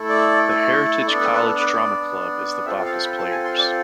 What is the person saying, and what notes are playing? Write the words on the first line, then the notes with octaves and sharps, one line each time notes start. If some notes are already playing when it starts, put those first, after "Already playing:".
The Heritage College Drama Club is the Bacchus Players.
Already playing: A3 E4 A4
D5
B3 D4 A4 D5
B4
B4
A4
B4
D5
C4 F4 A4 E5
F5
B5
A5
G#5
C6
D5